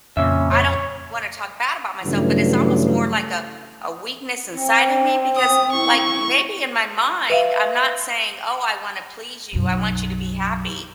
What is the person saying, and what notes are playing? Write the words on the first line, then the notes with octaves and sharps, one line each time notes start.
I don't wanna talk bad about myself, but it's almost more like a a weakness inside of me because, like, maybe in my mind, I'm not saying, "Oh, I wanna please you. I want you to be happy,"
F2 A#2 C#3 C#4 E5
C#5
G2 C#3 E3 F#3 A3
C4
D#6
E4 C#6
B4 E5 F5
B1 F#2